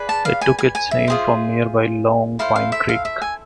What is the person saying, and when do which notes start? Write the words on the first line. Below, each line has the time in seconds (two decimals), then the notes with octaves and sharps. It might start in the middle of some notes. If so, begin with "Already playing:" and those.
It took its name from nearby Long Pine Creek.
Already playing: G#4 B4 D5
0.09 A5
0.25 F5
0.41 G#5
0.59 G#5
0.75 G#5
0.91 E5
1.08 F4 G#4 C5
2.39 E4 A4 C5 F5
2.56 F5
2.72 E5
2.89 F5
3.05 E5
3.22 G#5